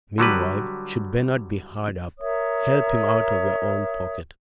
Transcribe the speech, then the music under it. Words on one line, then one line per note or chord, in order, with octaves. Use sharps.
Meanwhile, should Bernard be hard up, help him out of your own pocket.
D3 F#3 G3 B4
A#4 C#5 E5 D#6